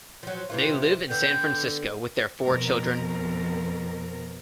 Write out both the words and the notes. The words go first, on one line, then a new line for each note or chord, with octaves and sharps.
They live in San Francisco with their four children.
F3 F#3
C3 E3 F4
D3 B3 G5
F2 B2 A#4